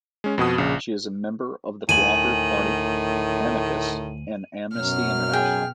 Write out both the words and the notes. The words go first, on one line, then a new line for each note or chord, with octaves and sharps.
She is a member of the Co-operative Party, Amicus and Amnesty International.
G#3 C#4
F2 B2 F#4 D#6
A#1 C#3
D2 A2 D#3 G#5 D#7 F#7
F#2 B2 F#3 F6
G#4 G5